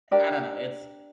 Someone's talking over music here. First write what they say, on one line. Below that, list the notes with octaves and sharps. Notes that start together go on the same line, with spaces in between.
I don't know. It's
D4 G4 A#4 D5